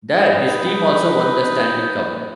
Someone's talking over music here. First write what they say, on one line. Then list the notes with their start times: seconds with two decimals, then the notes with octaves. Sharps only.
There, his team also won the Stanley Cup.
0.15 D#4 B4